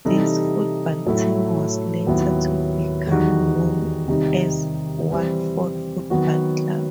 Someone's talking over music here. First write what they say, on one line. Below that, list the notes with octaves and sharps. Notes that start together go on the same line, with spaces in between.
This football team was later to become known as Watford Football Club.
C3 E3 G3 D#4 A4
A2 F#3 A3 E4 A4
D#2 D#3 F#3 B3 E4
E2 D#3 G3 D#4 F#4
C3 D#3 G3 D#4
E3 G3 C4
D#3 F#3 B3 F#4